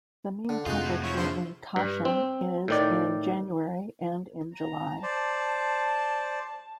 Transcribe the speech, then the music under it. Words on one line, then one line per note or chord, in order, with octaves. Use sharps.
The mean temperature in Kashin is in January and in July.
D3
F2 C3 C4 D#4 F4 F#4 G#4
A2
F3 E4 C#5
A#1 D3 E4 C5
G2
C4
A2 D#3 D5
A#5
C5 D5 A5